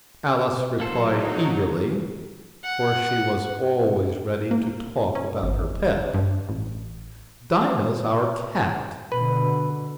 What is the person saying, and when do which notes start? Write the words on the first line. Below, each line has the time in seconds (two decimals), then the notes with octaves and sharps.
Alice replied eagerly, for she was always ready to talk about her pet: 'Dinah's our cat.
0.80 F#3 A#3 D#4 A4 C5
2.63 F#5
4.51 A#3
5.15 C#4
5.43 G#1
6.14 G2
6.49 A1
9.12 B2 D3 B4